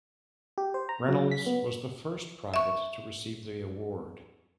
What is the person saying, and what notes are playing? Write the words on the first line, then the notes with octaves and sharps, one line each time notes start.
Reynolds was the first private to receive the award.
G4
C5
A#5
F#3
B6
B3
E5 C#6